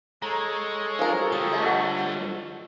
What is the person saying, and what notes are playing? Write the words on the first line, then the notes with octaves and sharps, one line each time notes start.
"Leave that to me."
G#3 A4 C#5 A#5
F3 A#4
D3 G3 D#6
D#5 F#5